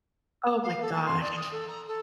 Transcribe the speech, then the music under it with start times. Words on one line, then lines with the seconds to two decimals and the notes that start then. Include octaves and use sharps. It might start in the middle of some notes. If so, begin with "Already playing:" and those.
Oh, my gosh.
0.63 F5
0.82 A4
0.93 A5
1.05 C6
1.21 D5
1.36 D#6
1.51 A4
1.68 A#5
1.87 A4